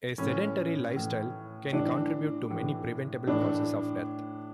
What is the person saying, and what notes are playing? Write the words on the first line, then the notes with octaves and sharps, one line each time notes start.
A sedentary lifestyle can contribute to many preventable causes of death.
A2 E3 C#4
A2 E3
A2 E3 D4
A2 E3
A2 E3 D4